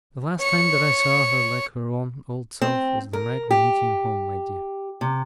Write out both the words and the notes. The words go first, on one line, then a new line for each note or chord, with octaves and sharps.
'The last time that I saw her like her own old self, was the night when you came home, my dear.
C#5 C#7
C4
A#4
G4
C3